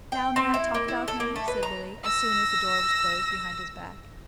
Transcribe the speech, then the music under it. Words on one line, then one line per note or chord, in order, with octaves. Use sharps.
"Now may I talk about him?" said Lily, as soon as the door was closed behind his back.
G5
C4
E4
A#3
E4
A4
A#3
A3
B4
A#5
E6 A#6